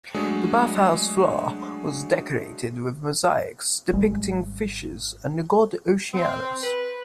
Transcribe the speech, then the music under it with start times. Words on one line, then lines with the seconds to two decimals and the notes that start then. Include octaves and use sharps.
The bath house floor was decorated with mosaics depicting fishes and the god Oceanus.
0.14 F#3 G#3 A3 D4 G#4
3.93 G#1 G3 G#3
6.14 C4
6.62 B4